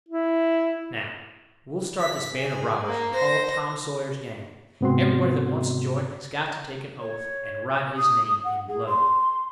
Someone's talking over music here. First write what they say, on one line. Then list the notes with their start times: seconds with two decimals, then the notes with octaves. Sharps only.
"Now, we'll start this band of robbers and call it Tom Sawyer's Gang. Everybody that wants to join has got to take an oath, and write his name in blood."
0.09 E4
1.99 B6
2.34 G#4
2.85 A#3
3.15 C5 A#6
4.81 G#2 C3 B3 C4 F#4 C6
6.99 C#5
7.96 D#6
8.44 F#5
8.67 G#4
8.86 C6